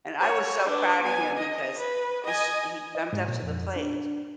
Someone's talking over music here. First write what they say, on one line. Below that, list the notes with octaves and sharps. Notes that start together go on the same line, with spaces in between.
and I was so proud of him because he s he jumped up to the plate.
F#4 C#5
D4 B4
B3 G#5
D#5
B4
D#5 G#5
D#5
G#2
A#2
F2
D4